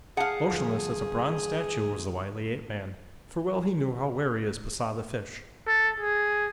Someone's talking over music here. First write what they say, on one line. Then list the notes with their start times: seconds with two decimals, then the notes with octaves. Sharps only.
Motionless as a bronze statue was the wily ape-man, for well he knew how wary is Pisah, the fish.
0.17 G#4 F5 F#5 A5
0.46 G1 F3
5.67 A4
6.00 G#4